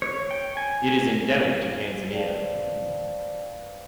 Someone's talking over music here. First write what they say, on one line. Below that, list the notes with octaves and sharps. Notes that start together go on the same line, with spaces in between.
It is endemic to Tanzania.
C#5
G5
G#5
B4 C5 D5 F5 G5 A5